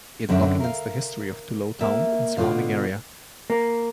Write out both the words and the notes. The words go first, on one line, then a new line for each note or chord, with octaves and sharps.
It documents the history of Tullow town and surrounding area.
F#2 D3 C4 E5 G5
A#4 F5
A#3 E5
B2 D3 F4 C5 F5
A#3